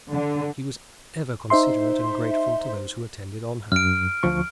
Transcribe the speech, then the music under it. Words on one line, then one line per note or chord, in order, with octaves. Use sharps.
She was ever considerate and grateful to those who attended on her.
D3
D#4 C5 E5 C6
F#2 F6 D7
D2 F3 C#6